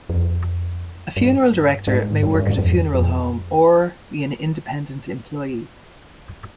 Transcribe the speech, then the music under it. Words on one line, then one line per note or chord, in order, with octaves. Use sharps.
A funeral director may work at a funeral home or be an independent employee.
F2
G2
G#2
G2
G2
G#2
F2
F2